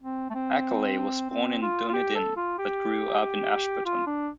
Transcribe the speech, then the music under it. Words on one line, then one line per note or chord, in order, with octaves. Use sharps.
Ackerley was born in Dunedin but grew up in Ashburton.
C4
A3
C4
C4
F4
F4
G4
A4
F4
G4
G4
F4
D4